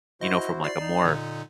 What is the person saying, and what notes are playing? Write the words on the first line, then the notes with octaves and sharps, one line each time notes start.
you know, from, like, a more
E4 F#4 C5 D#5
D5 C7
D#4
A#2 D3